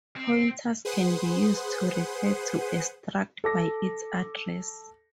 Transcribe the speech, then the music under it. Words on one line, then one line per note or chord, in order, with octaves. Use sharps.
Pointers can be used to refer to a struct by its address.
C4
G#4 B4 C5 F#5 C6 D#6
A4 D6 A#6